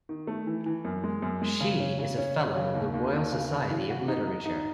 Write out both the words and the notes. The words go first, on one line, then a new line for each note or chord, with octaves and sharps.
She is a Fellow of the Royal Society of Literature.
D#3
A3
E3
E3
F#2
G#3
F#2
G#3
C#3
C#4
C#3
C#4
C#4
C#3
D#2
D#2
D#2
C#3
C#3
E3
F#4
D#4
D#4
D#4